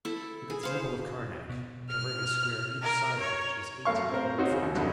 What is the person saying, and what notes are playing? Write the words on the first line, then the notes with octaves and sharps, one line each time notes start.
Look at the Temple of Karnac, covering a square each side of which is eighteen hundred feet.
E4 A4
G#4
C5 F5
B2
F6
A#4
C#5
F#2 A3 A#4 F5 C#6
C4 A#4 C5
C4 C#4 D#4 F#4
C#3
D#2
C2 F#2 D3